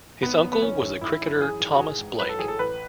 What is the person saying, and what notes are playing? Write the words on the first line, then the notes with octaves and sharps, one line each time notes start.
His uncle was the cricketer Thomas Blake.
G#1 B3
F#2
B3
E3 C#4
G#1
G#1 E4
F#2
E3 G#4
G#1
F#4
A1 G#4
G#2
F#3 B4
A4
A1 G#4
A4
A1 B4